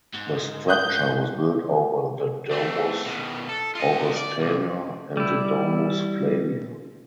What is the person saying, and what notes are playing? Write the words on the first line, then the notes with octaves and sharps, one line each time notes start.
The structure was built over the Domus Augustana and the Domus Flavia.
G#2
D#6 F#6 G6
A3 C4
B2 D#3
A4
F4 D#5
D5
C2
G3 E4